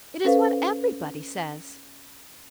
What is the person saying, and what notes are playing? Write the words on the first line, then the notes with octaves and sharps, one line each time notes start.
It is what everybody says.
C#4 A4 B4 C5 F5